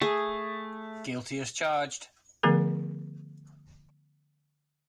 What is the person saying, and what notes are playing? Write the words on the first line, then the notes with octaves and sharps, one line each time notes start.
Guilty as charged.
A3 G#4
D3 F3 A3 B3 G#4 A#4